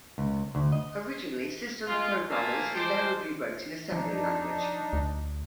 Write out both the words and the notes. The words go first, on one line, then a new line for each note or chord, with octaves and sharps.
Originally systems programmers invariably wrote in assembly language.
C#2
D2
D#5
G#3 F4
A3 A#3 C5 G#5 A5
G#3 C5 G5 A5 C6 D6
F3 D4 D#4
D2